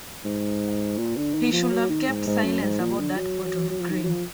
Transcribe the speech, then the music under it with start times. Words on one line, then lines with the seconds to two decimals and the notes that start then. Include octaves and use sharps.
He should have kept silence about that pot of cream.
0.25 G#2
0.98 A#2
1.17 D3
1.34 D#3
1.52 F3
1.71 F#3
1.89 D#3
2.08 G#2
2.26 G#2
2.44 F#2
2.62 G#2
2.81 A#2
2.99 D3
3.17 F#3
3.70 F#3
3.80 F3
3.90 D#3
4.03 F#3
4.09 F3